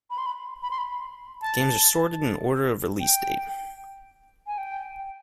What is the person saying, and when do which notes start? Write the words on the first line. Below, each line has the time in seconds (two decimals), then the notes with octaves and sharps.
The games are sorted in order of release date.
0.10 B5
0.18 C6
0.26 B5
0.63 B5
0.71 C6
0.78 B5
1.42 A5
3.00 G5
4.47 G#5
4.58 G5